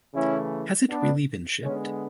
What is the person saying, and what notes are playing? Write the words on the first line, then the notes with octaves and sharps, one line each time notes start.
Has it really been shipped?
C#3 E3 A3 C#4 E4
B3 D4
D3 G#3 B3 C#4